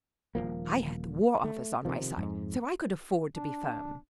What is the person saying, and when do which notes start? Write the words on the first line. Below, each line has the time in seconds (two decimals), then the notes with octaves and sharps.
I had the War Office on my side, so I could afford to be firm.
0.35 D#1 C#2 F3 A#3
1.44 A3
1.85 C3 D#3 F3
2.17 F2 G#2
3.36 D4